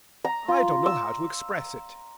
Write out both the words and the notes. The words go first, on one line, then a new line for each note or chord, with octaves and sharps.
I don't know how to express it.
A#5
F4
E6